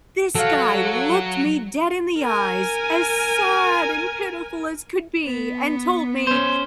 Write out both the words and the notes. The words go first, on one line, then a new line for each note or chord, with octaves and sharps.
this guy looked me dead in the eyes, as sad and pitiful as could be and told me,
F#3 A4 F5
A#4 G#5
B3
C#4 C5